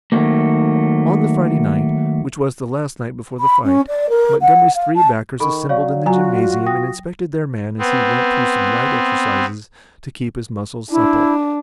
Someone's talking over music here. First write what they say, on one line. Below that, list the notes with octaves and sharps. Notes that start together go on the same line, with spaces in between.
On the Friday night, which was the last night before the fight, Montgomery's three backers assembled in the gymnasium and inspected their man as he went through some light exercises to keep his muscles supple.
D#3 F#3 A3 A#3
B5
C#4
D5
A#4
F#5
F5
A5
D#3 A4 B5 C#6
F#3 C#5 D5 F5
F#3 F4 F#4 G#5 A#5
G5 D#6 A#6
B3 C4
D4 E4